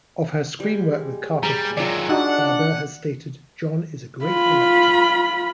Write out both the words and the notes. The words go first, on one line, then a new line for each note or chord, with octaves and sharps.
Of her screen work with Carpenter, Barbeau has stated: John is a great director.
G3 G#3
G3 G#4 D5 A#5
D#3 F#3 F4 D5 E5
D4 D#4 F#4 F#5
F4 B5